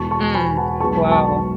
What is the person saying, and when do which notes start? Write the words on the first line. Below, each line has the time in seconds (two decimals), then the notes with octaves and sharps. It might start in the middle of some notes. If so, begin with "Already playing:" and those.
Mm, wow.
Already playing: E1 E2 B2 A5 C#6
0.11 A5 C#6
0.34 G#5 B5
0.57 F#5 A5
0.80 B1 B2 G#3 B3 A5 C#6
1.11 A5 C#6